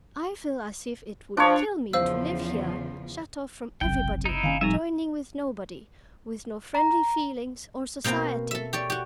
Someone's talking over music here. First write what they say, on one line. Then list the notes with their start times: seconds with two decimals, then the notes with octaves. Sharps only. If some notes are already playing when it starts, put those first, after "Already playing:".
I feel as if it would kill me to live here, shut off from everybody--joining with nobody--with no friendly feelings or society.
1.37 F3 D4 C#5
1.93 E2 C#3 F3 C5 F5 E6
3.81 F#1 B1 C3 F#3 G5
4.25 D#4 E4
4.43 D#3 A#3 C#4 F5 G#5
4.61 A2 F3 G3 C4 D#4 E5 G#5 A#5
6.75 A#5
8.04 B2 A#3 C4 G5 A#5
8.51 A4 E5
8.73 G4 C#5 D5
8.90 F#4 G4